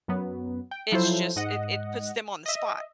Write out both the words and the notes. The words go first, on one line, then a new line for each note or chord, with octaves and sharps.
it's just it it puts them on the spot.
F#2 F#3 B3
G5
F3 F#3 E4 F4 A4 C5
G#2 D#5 F#5
D#5 E5